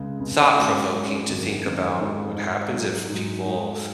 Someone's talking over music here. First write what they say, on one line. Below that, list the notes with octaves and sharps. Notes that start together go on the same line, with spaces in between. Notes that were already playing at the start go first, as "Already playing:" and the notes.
thought-provoking to think about what happens, if people,
Already playing: C#2 C#3 G#3
C#2 C#3 G#3
G#2 G#3 C#4 F#4
G#2 G#3 C#4 F#4
G#1 F#2 D#3 A#3 D#4
G#1 F#2 D#3 A#3 D#4
G#2 G#3 D#4
G#2 G#3 D#4
G#2 F#3 D#4
G#2 F#3 D#4
G#2 G#3 D#4 F#4